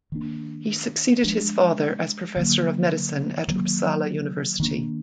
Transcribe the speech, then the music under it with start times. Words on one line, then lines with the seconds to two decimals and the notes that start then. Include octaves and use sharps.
He succeeded his father as professor of medicine at Uppsala University.
0.12 D#3 A#3 D4
1.24 F3 G#3 D4
2.36 D3 F#3 A#3
3.48 D#3 F#3 A#3
4.60 D#3 A#3 D4